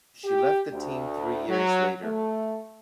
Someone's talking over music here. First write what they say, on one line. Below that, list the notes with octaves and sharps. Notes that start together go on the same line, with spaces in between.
She left the team three years later.
G4
D2
F#3
A3